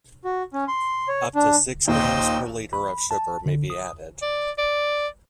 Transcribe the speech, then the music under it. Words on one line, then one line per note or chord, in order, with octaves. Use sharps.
Up to six grams per litre of sugar may be added.
F#4
C#4
C6
C#5
D4
D#2 A#2 D#4 C5 G5
B5
A5
D3
D#6
D5
D5